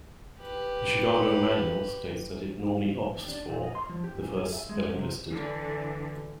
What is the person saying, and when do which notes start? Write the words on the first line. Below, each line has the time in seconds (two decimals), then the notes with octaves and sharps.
The "Chicago Manual" states that it "normally opts for" the first spelling listed.
0.40 G4 B4
3.15 D#2
3.28 D4
3.50 A#2
3.63 D#5
3.75 C6
3.89 F3
4.04 G4
4.19 A#2
4.37 G#4
4.53 E5
4.69 G#3
4.95 C3
5.29 D3 E3